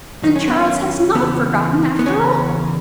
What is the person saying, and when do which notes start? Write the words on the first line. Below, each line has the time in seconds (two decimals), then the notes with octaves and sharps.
'Then Charles has not forgotten, after all.'
0.23 F#2 D#3 D#4
0.36 C#4
0.48 B3
0.59 C#4
1.15 E2 C#3 E3 B3
1.99 B3
2.06 E2 C#3 E3 C#4